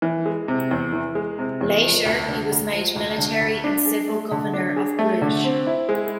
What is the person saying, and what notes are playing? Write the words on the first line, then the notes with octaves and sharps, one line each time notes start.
Later, he was made military and civil governor of Bruges.
E3
G#3
C3
E2
E3
G#3
C3
E2
F3
D2
D3
D2
F3
D2
D3
D2
D4
G#4
A3
D3
D4
G#4
A3
D3
C4
E4
G#3